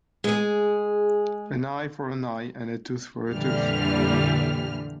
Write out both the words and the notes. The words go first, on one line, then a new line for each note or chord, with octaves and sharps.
An eye for an eye and a tooth for a tooth.
G#3 G#4
F2 A#2 D3 E3 G3 F6